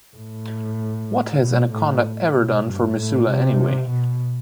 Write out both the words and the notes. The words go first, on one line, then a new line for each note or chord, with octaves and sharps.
What has Anaconda ever done for Missoula, anyway?
A2
B2
A2
B2
G2
A2
C3
B2